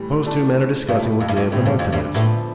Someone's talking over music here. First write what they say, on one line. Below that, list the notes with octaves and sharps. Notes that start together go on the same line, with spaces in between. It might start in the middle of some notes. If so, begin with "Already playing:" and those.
Suppose two men are discussing what day of the month it is.
Already playing: A2 E3 G3
E3 A3 D4 A4 D5
G2 C3 F3 A3 E4 G4
F2
G2
F2
D2 A2 D3 G3 C4
G2
F2
G2
A2 D3 F3 B3